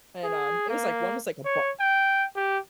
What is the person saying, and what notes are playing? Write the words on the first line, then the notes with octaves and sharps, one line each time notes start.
and, um, it was, like one was like a b
G#4
A#3
C#5
G5
G4